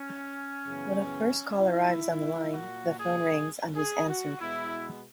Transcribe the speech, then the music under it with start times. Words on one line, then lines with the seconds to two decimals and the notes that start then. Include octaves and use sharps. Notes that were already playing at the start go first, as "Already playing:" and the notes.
When a first call arrives on the line, the phone rings and is answered.
Already playing: C#4
0.65 F#2 C#3 E3 B3
1.59 E4
2.52 A#2 A#3 F#4
2.99 G#4
3.76 G#4
4.08 F#4
4.38 B2 G#3 B3 E4